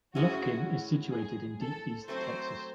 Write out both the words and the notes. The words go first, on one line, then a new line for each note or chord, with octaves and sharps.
Lufkin is situated in Deep East Texas.
A2 G#3 C#4 E4 F#4
G#4
A4
F#3 A3 C4 C5